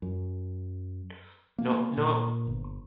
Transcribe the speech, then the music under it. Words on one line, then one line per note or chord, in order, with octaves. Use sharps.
Knock, knock.
F#2
A#3
A#2
G1